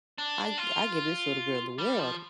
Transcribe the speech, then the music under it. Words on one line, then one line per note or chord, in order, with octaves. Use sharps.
I I give this little girl the world,
D4
F4
G3
F3